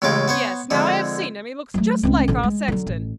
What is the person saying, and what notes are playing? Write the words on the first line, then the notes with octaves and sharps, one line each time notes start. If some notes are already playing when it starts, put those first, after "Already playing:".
'Yes, now I have seen him; he looked just like our sexton.
A1 A2 C#3 G#3 F5 G5
B3 C5 C#5
F2 D3 G#3
F#3 A3
C#2 C4
A1 D3
G#3
D3 F#3
A1